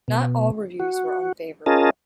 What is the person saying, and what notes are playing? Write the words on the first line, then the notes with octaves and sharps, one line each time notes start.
Not all reviews were unfavorable.
B2
F#4
C#4 F4 G#4 A#4 D#5 A5